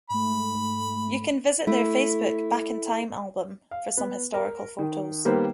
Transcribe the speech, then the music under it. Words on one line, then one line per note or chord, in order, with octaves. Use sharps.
You can visit their Facebook Back In Time Album for some historical photos.
G#2 A3 B5
A3 E4
F5
B3
A#4
D#3
D#3 G3 A#3 B3 C5